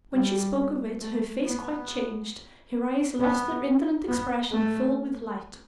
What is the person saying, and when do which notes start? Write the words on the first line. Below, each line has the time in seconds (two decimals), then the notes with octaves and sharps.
When she spoke of it her face quite changed, her eyes lost their indolent expression and filled with light.
0.14 G3
1.02 A3
1.45 B3
3.20 B3
4.08 B3
4.52 A3